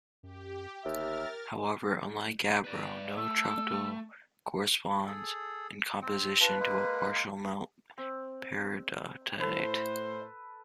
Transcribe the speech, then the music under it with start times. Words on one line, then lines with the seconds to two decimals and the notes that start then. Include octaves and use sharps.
However, unlike gabbro, no troctolite corresponds in composition to a partial melt of peridotite.
0.23 F#2 G4
0.85 G1 D#2 A#4 E5 F6 A6
2.64 B4 D5
3.17 A3 E6
5.06 G#4 A4
6.02 C4
6.40 D4 F4 B4
6.60 G#3 A#3
7.98 C4
9.40 A2 A4 B4 C5